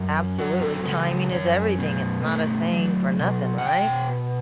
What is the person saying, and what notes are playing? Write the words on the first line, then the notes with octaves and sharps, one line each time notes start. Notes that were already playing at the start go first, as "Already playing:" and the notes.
Absolutely. Timing is everything, it's not a saying for nothing, right?
Already playing: F#2
F#3 F#4
A4
C#3 A4
F#2 C#5
B2
A3
F#3
B2
F#5
B2 G5